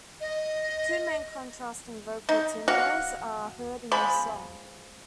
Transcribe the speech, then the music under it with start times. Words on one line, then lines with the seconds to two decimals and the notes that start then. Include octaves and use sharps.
Two main contrasting vocal timbres are heard in this song.
0.21 D#5
2.29 D#4
2.68 F#4 F5 F#5
3.92 F3 G#3 B5